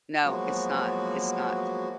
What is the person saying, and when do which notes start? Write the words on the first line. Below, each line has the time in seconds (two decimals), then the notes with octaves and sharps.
No, it's not, it's not.
0.24 F3 F#3 G#3 A#3 B3 F#4